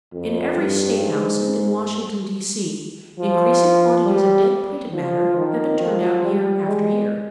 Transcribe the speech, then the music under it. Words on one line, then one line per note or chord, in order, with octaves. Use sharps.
In every state house, and in Washington, D.C., increasing quantities of dead printed matter have been turned out year after year.
F2
G2
G#2
F3
G3
F3
D#3
F3
G3
G#3